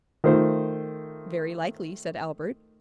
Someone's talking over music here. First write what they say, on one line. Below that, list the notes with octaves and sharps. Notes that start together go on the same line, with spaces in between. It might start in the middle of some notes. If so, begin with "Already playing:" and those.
"Very likely," said Albert.
D#3 A3 F4 C5